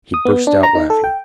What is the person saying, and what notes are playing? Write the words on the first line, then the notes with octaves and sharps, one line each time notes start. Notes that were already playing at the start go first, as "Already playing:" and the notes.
He burst out laughing.
D#6
B3
D4
A#5
D#4
A4
G5